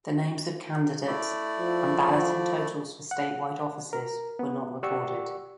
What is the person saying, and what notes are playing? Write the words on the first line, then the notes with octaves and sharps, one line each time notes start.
The names of candidates and balloting totals for statewide offices were not recorded.
A3 E4 D5
F3
F#5
A#4
B3
G4 D5 F#5 C#6 E6